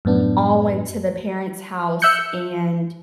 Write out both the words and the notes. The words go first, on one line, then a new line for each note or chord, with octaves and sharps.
all went to the parents' house and,
F#2 A2 B3 D4
E5 E6 F#6 G6 C#7